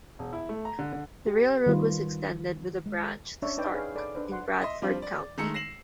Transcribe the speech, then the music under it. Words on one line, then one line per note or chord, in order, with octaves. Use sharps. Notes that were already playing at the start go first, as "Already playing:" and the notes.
The railroad was extended with a branch to Starke, in Bradford county.
E1
E4
A3
A#5
D3
D3
G4
D#3 G3 F4 B4
G#3
C#4 D4 C#5 D5 E5
D#4 B4 D5 G5
G#4 B4 C#5 F5 G5
A4 D5 B5 D6
D4 B4 C5
F#5 C6
D#5 E5 C6
F3 G3 C4 D4 F4
D5
D#3 G#3 A3 A#5 E6 C#7
A#6 C7 E7 F#7